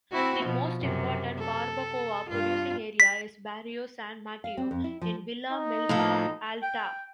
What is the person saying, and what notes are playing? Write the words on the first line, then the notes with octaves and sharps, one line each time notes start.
The most important barbacoa producing area is Barrio San Mateo in Villa Milpa Alta.
C4 E4 F#4
B2 F3
F#2 C3
A4
G2 F4
B6
F5
C4
F2
E4
F3
D#4
A2 F3 A4
G5